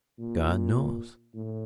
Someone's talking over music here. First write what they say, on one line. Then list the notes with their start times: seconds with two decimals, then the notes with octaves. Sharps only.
God knows!
0.19 A#2
1.35 A2